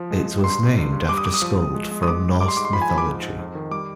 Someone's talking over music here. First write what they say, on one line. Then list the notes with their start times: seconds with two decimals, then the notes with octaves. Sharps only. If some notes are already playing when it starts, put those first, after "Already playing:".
It was named after Skuld from Norse mythology.
Already playing: F3
0.11 G#3
0.27 G#3
0.44 G2 C6
0.59 G2
0.76 G2
0.93 G2
1.09 G3 D6
1.18 D#6
1.25 G3 D6
1.34 D#6
1.42 F3
1.58 F3
1.74 G#3
1.91 G#3
2.03 D#6
2.07 G#3 D6
2.24 G#3
2.41 G3 D6
2.48 C6
2.57 G#2 D6
2.65 C6
2.73 F3 B5
2.82 G#5
2.90 F3 B5
2.98 D6
3.06 G#2
3.22 G#2
3.39 F2
3.55 D#3
3.71 G3 D6